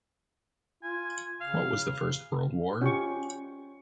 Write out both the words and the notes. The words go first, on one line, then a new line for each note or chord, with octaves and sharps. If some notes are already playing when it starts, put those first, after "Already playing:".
What was the First World War?
F4 G#5
C#3 F5
C#4 F4 G4 C#6